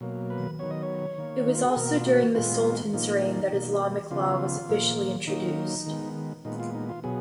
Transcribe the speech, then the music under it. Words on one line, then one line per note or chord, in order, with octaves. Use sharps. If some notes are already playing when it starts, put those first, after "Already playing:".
It was also during the Sultan's reign that Islamic Law was officially introduced.
B2 F#3 A#3
B4
D#3 F#3 B3 C#5
D#5
C#5
D#3 A#3
D#4
F4
F#4
G#4
B2 A#3 A#4
F4
F#4
A#2 G#3 B3 F4
A#2 F3 A#3 D#4
B2 A#3
C#3 F3 B3 F4
A#2 F3 A#3
D#3 F#3 A#3 D#4
D#3 G#3 B3
A#2 G#3 B3 D#4
F4
D#4
F4
B2 F#3 B3 G#4